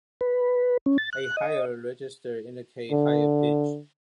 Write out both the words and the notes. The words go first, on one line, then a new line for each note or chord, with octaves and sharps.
A higher register indicates higher pitch.
B4
C#4
A6
F#6
D#5
D3